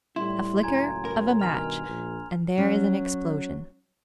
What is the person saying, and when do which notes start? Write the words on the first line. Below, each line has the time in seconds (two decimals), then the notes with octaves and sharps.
A flicker of a match, and there is an explosion.
0.16 A2 G3 E4 C6
0.63 C#2 A2 F#3 G#5 A#5 G#6
1.05 A#4
1.39 G2 B2 D#3 G#5 F6 F7
1.85 A#1
2.58 F#3 C#4